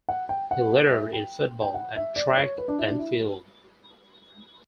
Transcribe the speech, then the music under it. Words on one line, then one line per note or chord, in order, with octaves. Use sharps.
He lettered in football and track and field.
F#5
G5
F#5
E5
G5
G5
F#5
E5
D5
C#5
B4
D4
E4
D4
E4